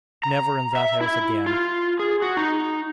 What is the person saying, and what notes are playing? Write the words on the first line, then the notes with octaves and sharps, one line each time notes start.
Never in that house again!
A#5
E5
E4
F4
G#4
F#4
D#4